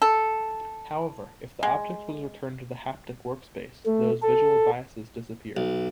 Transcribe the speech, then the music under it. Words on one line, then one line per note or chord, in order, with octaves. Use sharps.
However, if the object was returned to the haptic workspace, those visual biases disappeared.
A4
G#3
A3
A4
B1